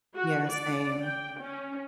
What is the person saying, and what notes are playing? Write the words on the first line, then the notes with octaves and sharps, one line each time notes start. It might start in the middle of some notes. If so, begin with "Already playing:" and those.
Yeah, same.
F#4
D5
G5
C#4